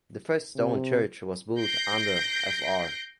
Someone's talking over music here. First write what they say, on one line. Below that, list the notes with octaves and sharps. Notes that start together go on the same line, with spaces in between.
The first stone church was built under Fr.
C3
G6 A#6 C7 D7